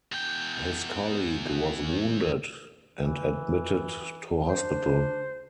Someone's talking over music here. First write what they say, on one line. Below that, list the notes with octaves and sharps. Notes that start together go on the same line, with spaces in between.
His colleague was wounded and admitted to hospital.
E2 G5
E3
D4 C5